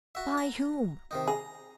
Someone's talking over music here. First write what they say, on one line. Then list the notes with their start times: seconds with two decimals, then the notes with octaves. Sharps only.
"By whom?"
0.15 F#4 E5
0.38 A#5
1.11 C3 D#3 D#4
1.28 G#4 A#5